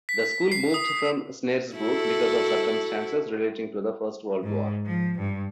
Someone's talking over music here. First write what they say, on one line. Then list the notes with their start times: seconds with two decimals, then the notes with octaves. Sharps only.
The school moved from Snaresbrook because of circumstances relating to the First World War.
0.09 B6
0.52 C7
0.74 D#6
1.76 E4 F#4 A4
4.43 G#2
4.86 F3
5.19 G2